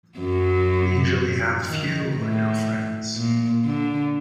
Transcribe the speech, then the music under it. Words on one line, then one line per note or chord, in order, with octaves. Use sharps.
They usually have few or no friends.
F#2 F#3
D#3
A2
A#2
D3